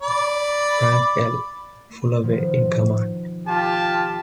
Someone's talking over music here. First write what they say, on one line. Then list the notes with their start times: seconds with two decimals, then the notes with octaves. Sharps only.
Frank L. Fullaway in command.
0.02 D5 B5
2.23 B2 D#3 F3
3.47 F4 G4 A5